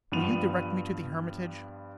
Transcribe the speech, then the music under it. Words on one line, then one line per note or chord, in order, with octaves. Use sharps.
'Will you direct me to the Hermitage?
G2 F3 B3 D#7 F7